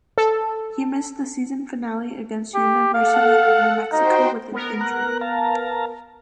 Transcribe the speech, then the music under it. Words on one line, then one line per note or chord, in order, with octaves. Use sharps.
He missed the season finale against University of New Mexico with an injury.
A4
G4
A4 F5 F#5
D#4 F#4 C5 G5
B3 A#4
A#5 F#6
F5 A5 A#5